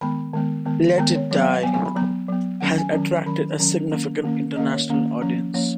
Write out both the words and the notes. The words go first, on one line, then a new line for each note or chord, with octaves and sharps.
"Let It Die" has attracted a significant international audience.
D#3 G#3 B3 B5
D#3 G#3 B3
D#3 G#3 B3
D#3 G#3 B3 A#5
C#5
F#3 B3 C#5
F5
F#5
F#3 B3 G#5
G#5
B5
F#3 B3 A#5
F#3 B3
D#3 F#3 C#4 F#5
G#5
D#3 F#3 C#4
D#3 F#3 C#4 B5
D#3 F#3 C#4
D#3 A#3 C#4
D#3 A#3 C#4
D#3 A#3 C#4 D#5
C#5
D#3 A#3 C#4
F3 A#3 C#4
F3 A#3 C#4 C#5